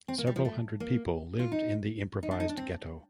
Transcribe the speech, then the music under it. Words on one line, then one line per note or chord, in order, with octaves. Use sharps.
Several hundred people lived in the improvised ghetto.
C4
A#3
G3
F3
A3
A#3
F4
D#4
D#4
D4
D#4
D4
C4